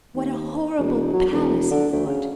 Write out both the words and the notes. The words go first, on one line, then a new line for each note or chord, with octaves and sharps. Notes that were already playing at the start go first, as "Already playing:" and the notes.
What a horrible palace! he thought.
D#2
E1
F#3
E1
D3
D2
C#3